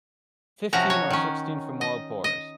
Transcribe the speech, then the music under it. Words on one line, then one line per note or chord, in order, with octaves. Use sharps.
Fifteen or sixteen femoral pores.
C3 F3 C#4 F#4 A#5
C#5
D#3 C#4
D#5
D#5